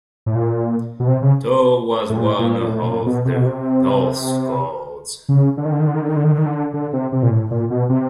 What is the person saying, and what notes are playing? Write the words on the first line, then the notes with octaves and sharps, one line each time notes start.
Thor was one of the Norse gods.
A2
A#2
B2
C3
C#3
A2
A#2
A2
A#2
A#2
A2
B2
A#2
B2
C3
B2
C3
C#3
D3
D#3
D3
D#3
D3
D#3
D3
D#3
D3
D#3
D3
D#3
D3
D3
C3
C3
A#2
A2
A#2
B2
C3